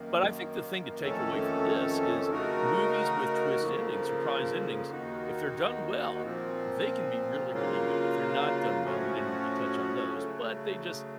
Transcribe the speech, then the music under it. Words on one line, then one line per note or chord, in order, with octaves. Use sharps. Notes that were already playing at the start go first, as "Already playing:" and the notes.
But I think the thing to take away from this is movies with twist endings- surprise endings- if they're done well, they can be really, really good, if they're not done well, we didn't really touch on those, but they just
Already playing: F#2 D#3 A#3
F2 D#3 A3 C#4 A4
C#3 A3 D#4 F#4 A#4
F2 C#3 F3 A#3
D#2 D#3 A#3 D#4 F#4
A#2 F3 C4
C#3 F#3 A#3 F4
A2 F3 A3 C#4 F#4
C#3 F#3 A3